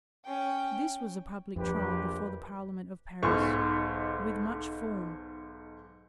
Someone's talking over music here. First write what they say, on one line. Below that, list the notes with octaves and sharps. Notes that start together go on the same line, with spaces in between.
This was a public trial before the Parliament of Paris, with much form.
C#4 G5
A#1 F2 G4 B4
B1 G#2 C#6